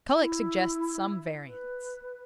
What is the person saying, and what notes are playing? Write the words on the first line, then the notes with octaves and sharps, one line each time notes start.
Kullak suggests some variants.
E4
B4